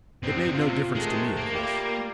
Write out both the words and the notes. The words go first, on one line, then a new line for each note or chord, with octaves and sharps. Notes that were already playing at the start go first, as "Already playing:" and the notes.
It made no difference to me, of course.
C#3 G3 B3 C4
F4
C3 D#3 G#3 A3
A#3
G3 F4 G4